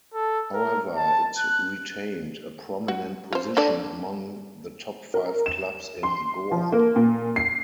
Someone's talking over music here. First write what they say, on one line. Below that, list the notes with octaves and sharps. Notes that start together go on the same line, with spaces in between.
However, it retained a prominent position among the top five Clubs in Goa.
A4
A#4
A5
F#6
F#4
F4 C5
D4 A4 D5
A#4
E7
C6
F3
A#3
A#2
C7